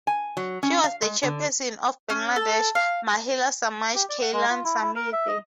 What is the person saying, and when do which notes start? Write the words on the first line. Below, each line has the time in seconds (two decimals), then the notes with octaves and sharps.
She was the Chairperson of Bangladesh Mahila Samaj Kalyan Samiti.
0.07 G#5
0.37 F#3
0.63 C#4
0.84 F5
1.02 G#3
1.23 D3
2.10 C#4
2.36 A4
2.75 F5
3.95 G4
4.09 D5
4.22 F#5
4.33 G#3
4.50 F4
4.64 E4
4.82 E4
4.96 A#4
5.12 E5
5.28 D#5